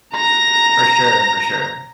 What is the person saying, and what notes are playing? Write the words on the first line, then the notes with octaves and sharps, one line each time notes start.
For sure, for sure.
A#5 A#6